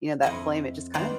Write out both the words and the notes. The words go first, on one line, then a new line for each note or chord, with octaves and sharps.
you know, that flame, it just kind of
F2 E4 D#5
D#3 B3 C5 D5